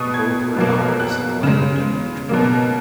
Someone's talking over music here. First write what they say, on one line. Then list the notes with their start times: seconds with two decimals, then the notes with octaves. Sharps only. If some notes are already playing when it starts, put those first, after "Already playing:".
Both were daughters of Leonard W. Jerome.
Already playing: B2 C#6 D#6
0.14 G#6
0.57 B2 F#3 A#3
1.00 F#6
1.43 C#3 G#3
2.29 B2 F#3 A#3